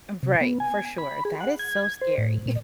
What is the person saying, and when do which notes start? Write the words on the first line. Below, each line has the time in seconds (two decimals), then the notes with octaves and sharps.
Um, v right, for sure, that is so scary.
0.23 C3
0.41 B3
0.60 G#5
0.98 B5
1.25 G#4
1.40 F#5
1.59 G#6
2.01 C5
2.18 A2
2.46 A#2